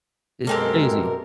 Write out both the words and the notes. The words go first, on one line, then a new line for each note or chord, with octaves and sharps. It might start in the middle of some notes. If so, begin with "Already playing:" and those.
It's crazy.
F#2 B2 G#3 A#3 C4 G4 A4 A#4